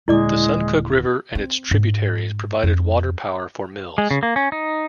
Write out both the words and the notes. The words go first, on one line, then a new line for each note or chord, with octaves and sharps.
The Suncook River and its tributaries provided water power for mills.
D#1 A#2 D3 G#3 E4 D5 D6
C4
G#2
F2
G#3
C#3
A#3
C#4
D#4